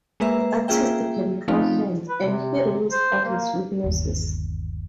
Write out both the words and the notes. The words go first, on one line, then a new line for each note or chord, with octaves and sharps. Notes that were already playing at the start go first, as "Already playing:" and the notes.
The artist can't draw hands, and he really struggles with noses.
G#3 A#3 B4 E5
A#3 C#4 F4 G#4 E5 G5
F3 A3 C4 C#4 D#4 F4
B4
C3
C5
A#3
G1 D#2